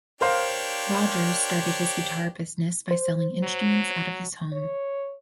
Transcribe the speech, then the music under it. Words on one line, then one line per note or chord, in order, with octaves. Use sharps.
Rogers started his guitar business by selling instruments out of his home.
D4 G4 A#4 C5 C#5 F5
C5
F#3
C#5